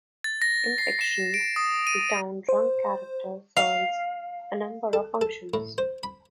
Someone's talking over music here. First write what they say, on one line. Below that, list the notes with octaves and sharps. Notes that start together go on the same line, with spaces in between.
In fiction, the town drunk character serves a number of functions.
A6
A#6
C7
E7
D7
D#6
D#7
C5
F5
A4
A4
A2
C5
B5